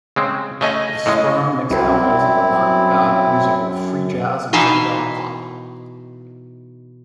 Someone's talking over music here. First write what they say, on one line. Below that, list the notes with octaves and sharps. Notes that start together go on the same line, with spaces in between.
The Sperm mixed elements of avant-garde music with free jazz and psychedelic pop.
C#3 G#3 C4
C#3 A3 D#5 G#5
A2 C#3 G#3
C2 F#2 C4 E4
B2 E3 D#4 E5 F5